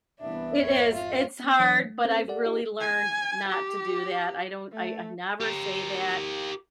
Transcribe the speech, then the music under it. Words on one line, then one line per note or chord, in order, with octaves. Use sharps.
it is, it's hard, but I've really learned not to do that, I don't I I never say that,
C2 E3 B3 D4 E5
G#1 F2 C#5
F4
B3
E3 F#3 D4 C#5
A3
C4 C#4 A4 B4 C5
G4 A4 A#4 D5 F#5
D#4 F4 G4 D#5
G#5
G4
A3
G4 A#4